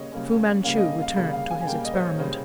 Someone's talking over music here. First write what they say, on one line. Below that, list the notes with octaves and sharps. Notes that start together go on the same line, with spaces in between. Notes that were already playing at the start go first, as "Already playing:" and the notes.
Fu-Manchu returned to his experiment.
Already playing: C#3 G3 A#3 C#4 C#5 D#5
C#3 G3 A#3 C#4
C#3 G3 A#3 C#4 F5
D#5
F5
C#3 G3 A#3
F5
G#5
G#5
C#3 G3 A#3 G5
D#5
C5
C#5
C#3 G3 A#3 C5